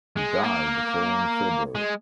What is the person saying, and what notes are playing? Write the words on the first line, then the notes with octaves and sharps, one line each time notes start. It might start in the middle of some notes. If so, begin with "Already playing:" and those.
He died the following February.
G#3
A#3
G#3